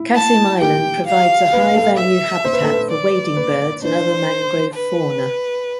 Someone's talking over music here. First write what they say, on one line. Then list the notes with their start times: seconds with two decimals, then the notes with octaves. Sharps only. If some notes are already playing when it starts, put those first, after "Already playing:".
Cassim Island provides a high value habitat for wading birds and other mangrove fauna.
Already playing: E4
0.15 A5
0.61 G4 G5
1.07 F5
1.53 B4
1.76 A4
1.98 E5
2.44 C5
2.53 B4
2.63 A4
2.72 B4
2.90 D5
3.36 B4
3.82 D4 C5
4.74 B4